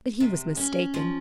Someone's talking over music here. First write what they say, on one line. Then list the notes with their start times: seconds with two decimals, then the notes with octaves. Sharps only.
But he was mistaken.
0.20 C3
0.57 C#4
0.94 F3